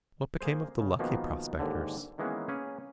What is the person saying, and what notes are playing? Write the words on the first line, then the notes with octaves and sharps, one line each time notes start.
What became of the lucky prospectors?
A#3 G#4 C5
C#3
B2 D#3 F3 G#3 A#3 B3
D#2 G#2 D3
D#3 E3 G#3 A#3 B3 C#4
A#3 C#4 G#4 B4